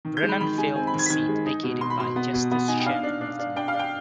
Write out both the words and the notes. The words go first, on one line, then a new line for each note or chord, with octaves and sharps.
Brennan filled the seat vacated by Justice Sherman Minton.
D#3
G6
G#3
B5
D#3 B5
G#3 G#5
C4 G#5
B5
D#3
G#6
B6
D#3 G#6
G#3
D#4
B2
B2 C6
B5
B2 C6
B3
B2
B3 B5
D#4 G#5
G5
D4 F5
D4
D4
D4
D4 G5
F5
D4
G5